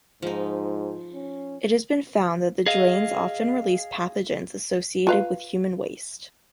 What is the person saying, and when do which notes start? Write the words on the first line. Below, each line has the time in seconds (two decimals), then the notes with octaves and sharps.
It has been found that the drains often release pathogens associated with human waste.
0.22 G#2 F3 D#4
1.14 C#4
2.66 G#4 D#5 F5
5.07 F4 B4 F5